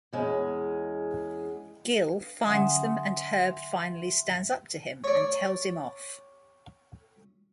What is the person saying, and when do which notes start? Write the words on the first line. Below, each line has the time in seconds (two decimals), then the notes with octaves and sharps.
Gil finds them and Herb finally stands up to him and tells him off.
0.13 E2 G#3 C#4
2.45 D3 F#3 C#4 E5 F#5 G#5 C6 D#6
5.04 C#5 D5